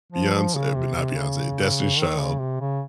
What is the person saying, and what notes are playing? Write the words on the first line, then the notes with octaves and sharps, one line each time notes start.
Beyoncé but not Beyoncé, Destiny's Child.
F3
F3
C#3
C3
C3
C#3
D#3
C#3
C3
C#3